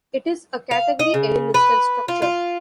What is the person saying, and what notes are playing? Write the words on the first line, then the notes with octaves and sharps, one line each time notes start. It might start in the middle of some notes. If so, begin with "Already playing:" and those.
It is a Category A listed structure.
F5
D#5
C#3
B4
F4
F4